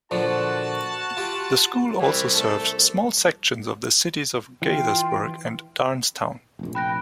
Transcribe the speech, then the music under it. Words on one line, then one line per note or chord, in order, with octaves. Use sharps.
The school also serves small sections of the cities of Gaithersburg and Darnestown.
A#2 D3 F3 F#4 A5
F4 G4
C2 E3 G3
A3 A4
E3 F4 G5
F1 A#1
G5 B5 F#6 A#6